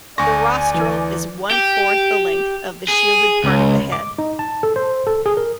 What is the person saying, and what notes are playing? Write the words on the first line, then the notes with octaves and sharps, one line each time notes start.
The rostral is one-fourth the length of the shielded part of the head.
D2 D5 G#5 C#6 A#6
E3
G4
G#4
C#2
D6
D#4
A5
A4
C5
A4
G#4
A#4